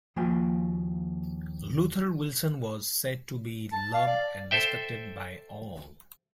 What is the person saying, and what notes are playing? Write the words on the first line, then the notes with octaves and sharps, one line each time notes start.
Luther Wilson was said to be loved and respected by all.
D#2 F3 A#3 F#4 G5 G#5
A5
F5
D5
A4 C5 E5 G5